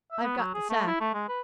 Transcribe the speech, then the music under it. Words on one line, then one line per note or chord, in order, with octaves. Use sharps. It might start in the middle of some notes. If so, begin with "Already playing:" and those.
I've got the sack.
E5
B3
F#3
G#4
A3
E4
A3
G#3
B4